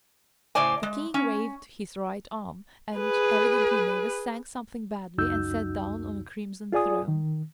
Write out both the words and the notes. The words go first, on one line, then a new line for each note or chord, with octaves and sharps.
The king waved his right arm and, evidently nervous, sang something badly and sat down on a crimson throne.
A2 C#3 C5 D5 G#5
G#3
C#4
G#4 B4
C#2 F#2 D#4 F#4 E6 G6
F4 G#4 D5 G#5 D#6
D#3